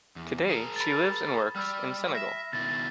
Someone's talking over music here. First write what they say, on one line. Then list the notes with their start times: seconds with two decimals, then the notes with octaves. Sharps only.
Today she lives and works in Senegal.
0.16 E2
0.49 G#4 A#4
0.76 B5 A6
1.56 G3 B5 E6 F6
2.15 E5 A#6 E7
2.53 B2 D#3 E4 A6